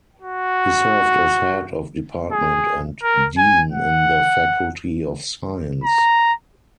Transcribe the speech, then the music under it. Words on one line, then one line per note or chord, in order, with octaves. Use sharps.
He served as Head of Department and Dean in the Faculty of Science.
F#4
G#4
A#4
G#5
F#5
A#5